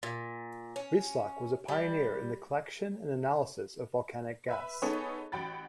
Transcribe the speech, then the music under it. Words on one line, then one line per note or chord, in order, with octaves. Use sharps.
Breislak was a pioneer in the collection and analysis of volcanic gas.
A#2
C#4
G3
B4 E5 B5
B3 D#4 G#4 A4 B4 C#5
A1 F#4 G5 B5 A6